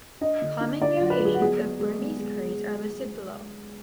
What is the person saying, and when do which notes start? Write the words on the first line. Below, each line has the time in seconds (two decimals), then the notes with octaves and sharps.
Common variations of Burmese curries are listed below.
0.21 D4 D#5
0.42 D3
0.61 D4
0.81 D3 D5
0.96 F#3 F4
1.10 B4
1.20 F#3
1.25 G#4
1.34 F#4
1.40 B3 G#4
1.60 B3
1.80 G#3
1.99 B3
2.19 G#3